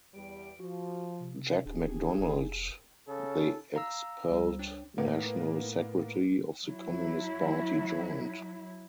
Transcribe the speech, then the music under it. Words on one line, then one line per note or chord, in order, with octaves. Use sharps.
Jack MacDonald, the expelled National Secretary of the Communist Party, joined.
E2 G3 D7
F3 F#4
C3
D1 D4 G4 G#4
F1
C#3 A4
F5 A#5 E6
C#2 G3 C5
D4 C#5 G5
A2 A#3 B3
F#3 E4